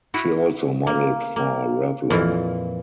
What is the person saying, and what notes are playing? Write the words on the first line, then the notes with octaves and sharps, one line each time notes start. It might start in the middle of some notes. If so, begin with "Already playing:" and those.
She also modeled for Revlon.
E4 F#4
A#3
A#3
F2 A#2 E3